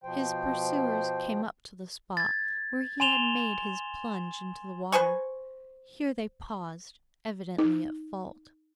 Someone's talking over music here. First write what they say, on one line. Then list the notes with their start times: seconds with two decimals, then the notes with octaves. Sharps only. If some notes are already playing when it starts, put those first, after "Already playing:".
His pursuers came up to the spot where he had made his plunge into the water; here they paused, evidently at fault.
0.04 B2 F3 C5 G5
2.17 G#6 A6
3.00 G#5 C6 E7 F7 G7
4.92 B4 C5 G#5 C#6
7.58 D#4